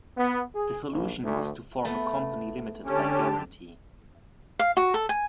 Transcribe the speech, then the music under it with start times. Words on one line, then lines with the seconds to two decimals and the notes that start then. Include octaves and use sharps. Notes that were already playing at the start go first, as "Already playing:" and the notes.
The solution was to form a company limited by guarantee.
0.17 B3
0.55 G#4
0.91 A#1
1.24 D2
1.85 A3 B3
2.86 D3 C#4 G4 A5
4.59 F5
4.77 F#4
4.94 A4
5.09 G#5